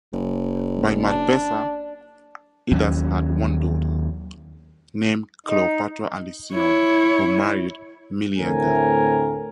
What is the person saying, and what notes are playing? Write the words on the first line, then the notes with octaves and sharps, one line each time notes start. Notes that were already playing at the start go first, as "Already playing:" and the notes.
By Marpessa, Idas had one daughter named Cleopatra Alcyone who married Meleager.
F#1
D4
D#2 F#3 C#4
D#4
E4 C#5
D2 A2 A3 C4 A#4 G#5